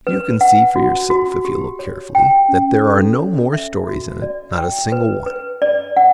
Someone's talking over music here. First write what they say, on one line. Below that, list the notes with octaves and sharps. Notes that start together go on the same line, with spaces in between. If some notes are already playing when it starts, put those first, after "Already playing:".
You can see for yourself, if you look carefully, that there are no more stories in it; not a single one.
B4
F#5
F#4
F#4
G4
C#5
G5
C#4
A4
C#5
E5
F#4
D5
G5
B4
B4
D5
F#5